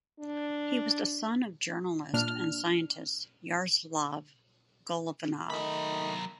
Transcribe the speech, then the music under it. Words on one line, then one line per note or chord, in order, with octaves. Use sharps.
He was the son of journalist and scientist Yaroslav Golovanov.
D4
A#2 D4 F6
D#3 F#3 A3 D#4 B5